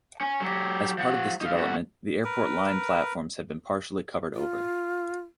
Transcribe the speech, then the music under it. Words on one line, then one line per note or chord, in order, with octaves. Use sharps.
As part of this development, the Airport line platforms have been partially covered over.
C#4
F#3 G4
F3 F#5
D#4 F5
F2 F#4
A#4 B4
F4